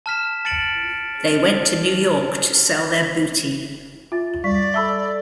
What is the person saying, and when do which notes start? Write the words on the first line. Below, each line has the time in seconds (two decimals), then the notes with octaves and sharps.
They went to New York to sell their booty.
0.06 A5 F6 B6 E7
0.45 A5 A6 C#7 D7 F#7
4.12 F4 E5 A6
4.44 G3 D5 C#6 B6
4.74 A4 E5 A5 B5 E6 G7